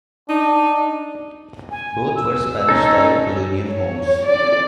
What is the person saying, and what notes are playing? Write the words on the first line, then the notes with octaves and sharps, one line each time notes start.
Both were Spanish-style colonial homes.
D4 D#4
G#5
E6
C#4 D#4 A4
C#5
D5